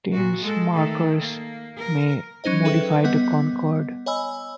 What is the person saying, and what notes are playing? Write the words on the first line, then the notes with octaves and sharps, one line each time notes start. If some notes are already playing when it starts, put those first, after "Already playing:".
Tense markers may modify the concord.
A#2 F#4
G#3 A4
D#3 A3 A4
A#3
A#4
F#3 C#4 D#4 C5 D#5
G#4 A4 B4 E5 G5
G3 B3 D#5 F#5
C#5 D#5 G#5 B5 E6